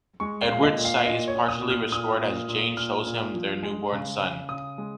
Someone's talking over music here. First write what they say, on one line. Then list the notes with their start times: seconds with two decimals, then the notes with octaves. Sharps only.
Edward's sight is partially restored as Jane shows him their new-born son.
0.20 G#3 C#6
0.41 F5
0.49 A#2
0.63 D#5
0.78 A#2
0.85 F5
1.05 A#2 D#5
1.28 C#5
1.35 A#2
1.48 D#6
1.64 A#2
1.70 F6
1.92 A#2 D#6
2.20 A#2
2.48 A#2
2.77 A#2 F6
3.07 A#2
3.34 F3
3.63 G#3
3.92 C#3
4.21 C#3
4.49 C#3 D#6
4.78 G#3